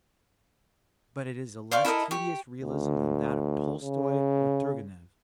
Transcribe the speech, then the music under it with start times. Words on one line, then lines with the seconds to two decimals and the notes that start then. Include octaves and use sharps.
But it is a less tedious realism than that of Tolstoy or Turgenev.
1.71 C5 D5 F5 C#6
1.85 E4 A4 A#4 D#5
2.11 G4 C#6
2.62 D2
3.81 C#3